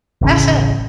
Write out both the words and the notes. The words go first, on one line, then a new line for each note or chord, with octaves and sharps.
That's it.
D1 A1 C#3